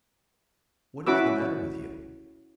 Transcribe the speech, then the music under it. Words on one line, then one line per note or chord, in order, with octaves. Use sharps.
"What is the matter with you?"
C#4 E4 F#4 B4 D6 E6